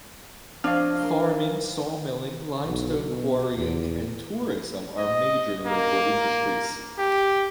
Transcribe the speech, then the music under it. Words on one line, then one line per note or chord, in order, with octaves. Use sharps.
Farming, sawmilling, limestone quarrying and tourism are major local industries.
F3 D4 C#5 D#5 F5 F6
A#3 C6
B1
B2
E2
D#5
A#3
G4